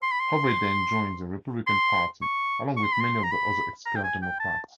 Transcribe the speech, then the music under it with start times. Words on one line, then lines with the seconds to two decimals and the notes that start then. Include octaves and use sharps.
Hovey then joined the Republican Party, along with many of the other expelled Democrats.
0.03 C6
0.12 B5
0.20 C6
1.67 C6
2.22 C#6
2.77 C#6
2.84 C6
2.93 B5
3.01 C6
3.24 A#5
3.31 B5
3.86 A#5
3.96 G5
4.04 G#5
4.22 G5
4.40 A5